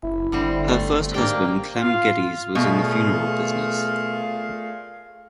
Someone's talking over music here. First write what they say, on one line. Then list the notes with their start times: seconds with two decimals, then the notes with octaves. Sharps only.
Her first husband Clem Geddes was in the funeral business.
0.03 F#1 E4
0.32 G1 D3 G3 C4
0.68 A3
1.14 G#2 G3 A#3 D4 G5
1.76 F4 F5
2.55 B2 A3 F4 G#4 A#4 D5 F5